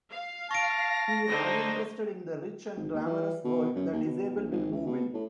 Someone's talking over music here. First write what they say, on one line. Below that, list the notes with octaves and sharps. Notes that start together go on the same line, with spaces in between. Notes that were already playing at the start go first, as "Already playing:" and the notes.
He is uninterested in the rich and glamorous world that Isabel will move in.
F5
A5 C#6 A#6 D7
D3 D#4 C5
G#1
D#2
E3
B2
F#2
D#2
B2
A#1
G#1
C#2
B2
A2